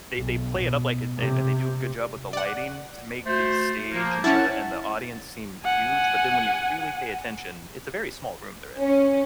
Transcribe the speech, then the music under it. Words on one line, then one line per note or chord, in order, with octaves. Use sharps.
they they play it up like it and they do a good job with the lighting to make the stage and the and the audience seem huge, but then when you really pay attention, it's a very small room they're in.
B1
B2
C3
D5 F#5
A3 F#4 C5
F3 A#3
C#4 E4 F#5 A5
F#5 G#5
C#4